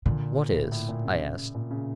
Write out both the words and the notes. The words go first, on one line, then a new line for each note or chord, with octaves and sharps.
"What is?" I asked.
A#2 D3
A2
A2
A#2
C#3
A#2
C#3